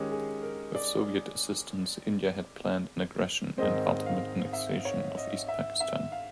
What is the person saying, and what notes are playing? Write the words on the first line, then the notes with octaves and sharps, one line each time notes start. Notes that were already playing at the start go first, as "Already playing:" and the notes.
With Soviet assistance India had planned an aggression and ultimate annexation of East Pakistan.
Already playing: D#3 G#3 C#4 G4
G#4
A#4
D5
G#2 D#3 G#3 C4 D#5
F5
E5
C#5
D#5
E5
E5
F5